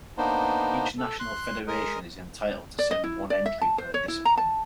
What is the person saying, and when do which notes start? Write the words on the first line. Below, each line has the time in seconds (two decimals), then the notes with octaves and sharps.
Each national federation is entitled to send one entry per discipline.
0.18 A#3 B3 D4 D#4 C5
0.98 A4
1.20 C6 F#6
1.67 G#3 A#4 D#5
2.79 D5
2.91 D#5
3.04 E4
3.30 D5
3.46 E5
3.61 A5
3.78 C5
3.94 C#5
4.08 E4
4.25 A#5
4.37 A5